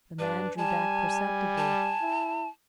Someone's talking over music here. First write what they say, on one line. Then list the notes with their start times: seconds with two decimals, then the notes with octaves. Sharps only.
The man drew back perceptibly.
0.19 G2 D4 B4
0.58 G3 G#5 A5
1.58 A5
2.02 E4